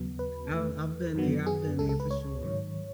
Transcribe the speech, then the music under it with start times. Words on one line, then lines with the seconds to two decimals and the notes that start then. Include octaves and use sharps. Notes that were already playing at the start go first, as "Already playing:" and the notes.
I've I've been there, I've been there for sure.
Already playing: D#2 C#3 F#3 B3
0.19 B4
0.51 E2 D#3 A3
1.15 F#2 D#3 F#3 B3
1.47 G#4
1.78 C#2 C#3 G#3 A4
1.89 A4
2.00 B4
2.11 C#5
2.42 G#2 D#3 F#3